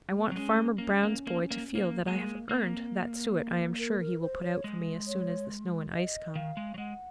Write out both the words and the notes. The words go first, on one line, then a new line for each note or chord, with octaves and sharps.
I want Farmer Brown's boy to feel that I have earned that suet I am sure he will put out for me as soon as the snow and ice come.
G#3
A#3
C4
F#3
G#3 C#4
A#3 C#4
A#3
A#3
A#3
A#3
G#3 A#3
A#3 C4
A#4
A#4
C5
C#5
G#3
C#5
D#5
D#3 F5
G#3
F#3
G#3 F#5